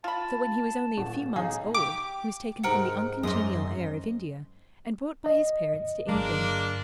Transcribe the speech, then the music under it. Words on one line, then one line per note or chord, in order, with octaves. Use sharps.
So when he was only a few months old, he was taken from the uncongenial air of India and brought by his parents to England.
F4 A5 B5
D#1 F#5
B1 D#4 G#4 F5
G4 D6
G#2 C3 A#4 F#5
F#2 G#3 C5 D#5 C6 D#6
D#5
G1 F#3 G#3 A#3 D4